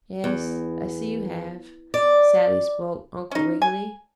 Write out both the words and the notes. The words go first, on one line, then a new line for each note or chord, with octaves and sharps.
"Yes, I see you have," sadly spoke Uncle Wiggily.
E2
D5
C#4 D#4
G#5